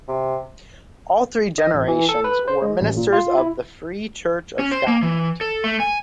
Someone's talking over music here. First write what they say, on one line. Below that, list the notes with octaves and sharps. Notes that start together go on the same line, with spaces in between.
All three generations were ministers of the Free Church of Scotland.
C3
D#5
A1
E3
A4
B4
C5
G#3
A1
A#2
F4
E4
C#4
C5
A#3
E3
A4
A3
G#5